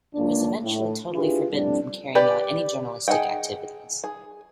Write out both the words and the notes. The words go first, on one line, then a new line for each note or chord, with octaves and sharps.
He was eventually totally forbidden from carrying out any journalistic activities.
C#2 A#3 D4
A2
D4 E4 F4 G4 G#4 B4
F2 A2 G3 C4 D4
G4 B4 D5
G#4 A#4 D#5 F#5 G5
G#4